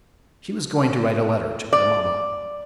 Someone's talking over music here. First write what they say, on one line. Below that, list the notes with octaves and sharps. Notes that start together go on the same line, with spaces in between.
She was going to write a letter to her mamma.
D5